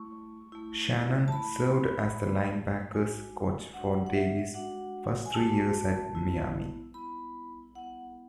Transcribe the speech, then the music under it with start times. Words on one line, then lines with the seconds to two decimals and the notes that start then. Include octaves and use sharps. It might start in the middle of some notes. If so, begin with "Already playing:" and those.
Shannon served as the linebackers coach for Davis' first three years at Miami.
Already playing: A3 E4 C#6
0.52 A3 E4
1.28 A5
1.32 A3 E4 B5
2.12 A3 E4
2.93 G#3 D4 F#4 G#5
3.73 G#3 D4 F#4 F#5
4.06 F#5
4.13 E5
4.54 G#3 D4 F#4 F#5
5.26 G#5
5.33 G#3 D4 F#4 A5
6.15 B3 E4
6.94 B3 E4 B5
7.75 B3 E4 F#5